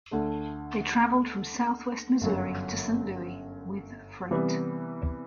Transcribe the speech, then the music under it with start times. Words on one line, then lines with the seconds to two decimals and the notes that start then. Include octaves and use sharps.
They traveled from southwest Missouri to Saint Louis with freight.
0.11 D2 D3 A3
2.21 G1 F#2 F#3
4.31 C3 E3 G3 B3